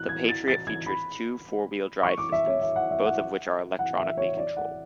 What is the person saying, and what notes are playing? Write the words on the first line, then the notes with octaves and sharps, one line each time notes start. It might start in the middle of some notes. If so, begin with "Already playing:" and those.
The Patriot features two four-wheel drive systems both of which are electronically controlled.
Already playing: F#6
G#6
A6
A6
G#6
B5
C#6
D6
E5
C#5
E5
F#5
E5
F#5
F#5
E5
C#5
D5
F#5